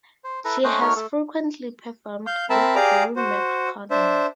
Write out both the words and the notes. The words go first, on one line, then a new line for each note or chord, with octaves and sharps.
She has frequently performed with Drew McConnell.
C5
E4 A4 B4 A#5
A3 C#4 C5 D#5 G5 F#6
A3 D#4 F#4 A#4 C#5 F6
A3 A4
F5 G6
C4 A#4 E5 A5 B5
G4 G#4 D5 F5 A#5 D6
F#4 C5
D4 C5 E5